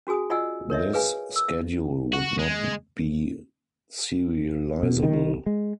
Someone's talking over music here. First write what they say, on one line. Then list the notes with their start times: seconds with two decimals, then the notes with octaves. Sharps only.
This schedule would not be serializable.
0.07 C#4 F#4 G#4 G#5 D#6
0.30 F4 D5 D#5 F#5 G#5 E6
0.70 A#4 C#5 D#5 E5
0.93 G#4 B4 F5 G#5
1.36 E6
2.13 F#4
2.39 G#3
4.83 B2
5.03 D#3
5.46 G#3